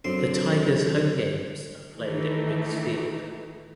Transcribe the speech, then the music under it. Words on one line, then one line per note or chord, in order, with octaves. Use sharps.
The Tigers home games are played at Riggs Field.
F#2 D3 C4 C6
D#3 E3 A3 D#4